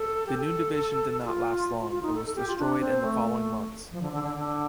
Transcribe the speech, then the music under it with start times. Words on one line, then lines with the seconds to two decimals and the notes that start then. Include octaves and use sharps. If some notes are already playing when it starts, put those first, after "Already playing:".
The new division did not last long and was destroyed in the following month.
Already playing: A4
0.26 G4
0.37 A4
1.22 G4
1.25 F4
1.81 F4
1.92 F4
2.03 D#4
2.14 A4
2.26 A4
2.36 G4
2.48 F4
2.59 D4
2.80 C4
3.02 A3
3.91 F3
4.02 D3
4.13 D3
4.24 D3
4.36 D3